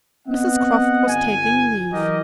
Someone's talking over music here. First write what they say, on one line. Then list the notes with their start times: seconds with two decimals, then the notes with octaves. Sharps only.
Mrs Croft was taking leave.
0.27 B3 C4 D#5 F#5
1.08 G1 G#5
1.92 E3 F#3 G4 A#4 D#5